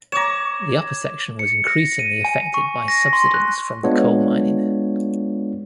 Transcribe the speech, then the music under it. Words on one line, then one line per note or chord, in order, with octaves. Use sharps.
The upper section was increasingly affected by subsidence from the coal mining.
C#5 A#5 D6 E7
C#7
A#6
D#7
G#5
C#6
A#6
C6
F#6
G#3 B3 D4 F4 C#5